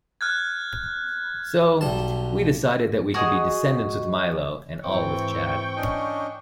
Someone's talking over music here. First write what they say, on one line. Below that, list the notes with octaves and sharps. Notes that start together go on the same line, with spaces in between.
So, we decided that we could be Descendants with Milo, and All with Chad.
F6 F#6 G#6
B1 G3 A5
F#4 G#4 D#5
G#2 E3 C4 G5 C#6
C#4 D4 D#5